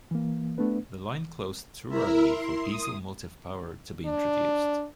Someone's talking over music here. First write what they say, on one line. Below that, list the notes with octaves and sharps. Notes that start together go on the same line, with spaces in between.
The line closed too early for diesel motive power to be introduced.
E3 A#3
A3 B3 D4 B4
E4 A#4 E5
C6
D#6
D4